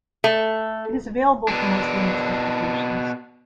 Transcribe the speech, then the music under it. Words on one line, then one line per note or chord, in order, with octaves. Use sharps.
It is available for most Linux distributions.
A3
B2 D4